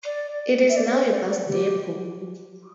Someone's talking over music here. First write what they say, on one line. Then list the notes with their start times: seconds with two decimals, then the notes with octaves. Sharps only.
It is now a bus depot.
0.05 D5
0.69 E5
0.76 D5
0.94 C5
1.11 D5
1.29 D5
1.48 G4